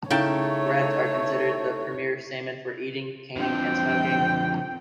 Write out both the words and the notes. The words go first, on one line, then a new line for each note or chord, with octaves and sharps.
Reds are considered the premier salmon for eating, canning, and smoking.
C#3 A3 D#4 E4 C#5 G5 A5 A#5
D3 F3 C4 G5